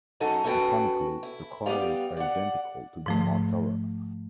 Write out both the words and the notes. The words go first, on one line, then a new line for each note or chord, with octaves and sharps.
Mechanically the car was identical to the Mantara.
F#3 C#4 D#4 A4 F#5
C#4 E4 F#4 A4 B4 G5
E4
G3 B3 G4 D5 F5
D5 F#5
G#2 F3 A3